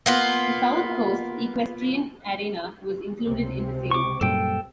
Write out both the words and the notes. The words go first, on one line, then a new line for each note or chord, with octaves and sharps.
The South Coast Equestrian Arena was included in the sale.
A#3 B3 F4
C#2 C3 C4
C#6 D6
F#2 A#2 G3 A4 G5